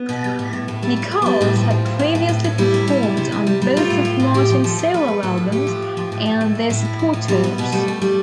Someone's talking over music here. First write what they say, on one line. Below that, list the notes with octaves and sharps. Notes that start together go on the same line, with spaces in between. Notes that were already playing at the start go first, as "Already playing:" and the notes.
Nicholls had previously performed on both of Martin's solo albums and their support tours.
Already playing: B3
B2
G3
A2
A2
A2
G3 A3
G3
A3
A2
G3 B3
A2 C4
F3
F3
A2
A2
A2
A2
A2
G3 E4
C3
G3
C3
C3
C3
G3
G3
A3 F4
A2
A2
A2
F3 G4
F3
F3 A4
F3
A3 B4
A3
A2 A4
A2
A3 G4
F3
A2
F3
A2
A2
A3
A2
A2 E4
A2
F3
A2
G3 C4
G3 B3
B2 B3
G3 A3
G3
G3